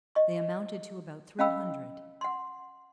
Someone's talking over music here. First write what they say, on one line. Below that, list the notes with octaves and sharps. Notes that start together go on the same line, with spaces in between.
They amounted to about three hundred.
D#5 C#6
C#4 D#5 F5 G5 B5 E6
F#5 C6